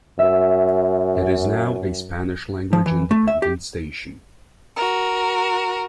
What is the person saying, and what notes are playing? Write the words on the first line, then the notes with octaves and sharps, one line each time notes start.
It is now a Spanish-language independent station.
F#2 E5
F3
E3
A3
E5
G4
F#4 A#4